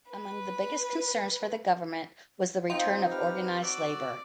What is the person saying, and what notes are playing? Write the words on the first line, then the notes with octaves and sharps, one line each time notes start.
Among the biggest concerns for the government was the return of organized labor.
B4
C4 D#4 F4 D#5 G5
G4 B4 F6
F#4 D5 E6 F#6